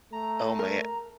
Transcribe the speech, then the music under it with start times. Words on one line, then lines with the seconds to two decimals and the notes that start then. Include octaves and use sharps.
oh, man.
0.13 A3 A#5
0.59 A#4